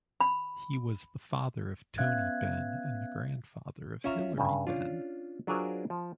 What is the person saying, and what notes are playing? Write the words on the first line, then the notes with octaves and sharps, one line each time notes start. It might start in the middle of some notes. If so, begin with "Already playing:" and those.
He was the father of Tony Benn and the grandfather of Hilary Benn.
B5
B3 C#4 E5 F5 F#6 G#6
C#4 F4 E5 A#5
G2 C#3
C#4 D4 F4
F#3 D4 F4 G#4 A#4 C5
F3